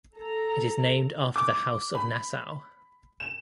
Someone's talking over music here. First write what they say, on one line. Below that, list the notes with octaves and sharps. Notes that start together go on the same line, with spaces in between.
It is named after the House of Nassau.
A4 A#5
D6
B5
E7